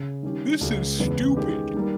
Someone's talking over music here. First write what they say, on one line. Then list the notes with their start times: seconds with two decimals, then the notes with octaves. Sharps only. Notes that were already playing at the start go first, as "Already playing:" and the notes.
this is stupid.
Already playing: C#3
0.23 D#3 G3 C#4 G4
0.61 C#2 C#3 G#3
0.99 E2 C#3 E3 G#3 B3
1.37 D#3 G#3 C#4 G4
1.74 D#3 G3 A#3